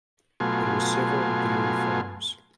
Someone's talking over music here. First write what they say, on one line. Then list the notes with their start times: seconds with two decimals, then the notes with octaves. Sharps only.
There were several dairy farms.
0.40 B2 F#3 A3 F4 G#5 C6